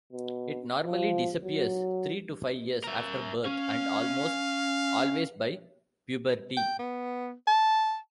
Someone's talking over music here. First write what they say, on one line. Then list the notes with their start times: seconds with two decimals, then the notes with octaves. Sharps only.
It normally disappears three to five years after birth and almost always by puberty.
0.13 B2
0.86 F3
1.44 F#3
2.84 A#4 E5
3.45 C#4 F5
6.57 G5
6.79 B3
7.47 A5